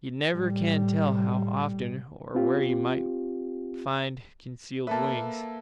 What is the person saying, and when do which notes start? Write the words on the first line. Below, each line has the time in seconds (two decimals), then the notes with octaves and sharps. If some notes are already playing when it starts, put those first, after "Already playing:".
You never can tell how often or where you may find concealed wings.
0.31 A2 G3
2.35 C4 F4 G4
4.87 A#3 A4 B4 E5 A5